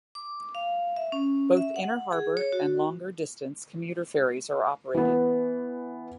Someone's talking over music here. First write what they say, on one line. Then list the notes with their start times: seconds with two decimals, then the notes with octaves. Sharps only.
Both inner harbor and longer distance commuter ferries are operated.
0.15 D6
0.55 F5
0.97 E5
1.12 C#4
1.57 E5
1.76 F#5
2.13 G#4
2.37 C#5
2.52 F#4
4.94 E3 B3